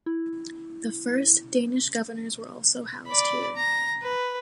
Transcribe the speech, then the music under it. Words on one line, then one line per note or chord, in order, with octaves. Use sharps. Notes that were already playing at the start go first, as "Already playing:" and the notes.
The first Danish governors were also housed here.
E4
D5 B5
A#5
B4